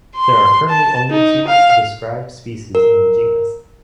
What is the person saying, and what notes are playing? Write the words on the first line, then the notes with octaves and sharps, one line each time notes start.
There are currently only two described species in the genus.
C6
A5
D#4
F5
A#4